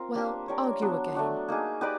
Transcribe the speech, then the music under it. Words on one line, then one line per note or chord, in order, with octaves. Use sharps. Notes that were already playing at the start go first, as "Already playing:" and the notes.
"Well, argue again."
Already playing: C4 F4 A#4
A#3 D4 G4
D4 G4 A#4 C#5
F#3 B3 D4
A3 D4 F#4
A#3 D#4 G#4
D#4 G4 B4 D5